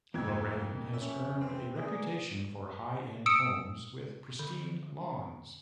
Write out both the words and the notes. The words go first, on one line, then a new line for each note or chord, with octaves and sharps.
Lorraine has earned a reputation for high end homes with pristine lawns.
A#1 F2 C3 F3 A#3 E6 G#6
C#4 E5
C3 E3 C4
B2 A#3 G#4 D5
D#6 E6 C#7 D7 E7
D3